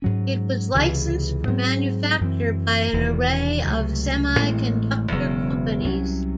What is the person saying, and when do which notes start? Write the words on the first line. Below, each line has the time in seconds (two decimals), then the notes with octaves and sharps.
It was licensed for manufacture by an array of semiconductor companies.
0.02 G#2 F#3 C#4
0.75 C#2 C3 E3
1.47 G#2 F#3 C4
2.20 F#2 E3 C4
2.93 E1 E2 C3 D#3
3.66 C#2 C3 F#3 A3
4.38 A1 A2 G#3 C4
5.11 E1 E2 C#3 F#3
5.84 C2 C3 F#3 C#4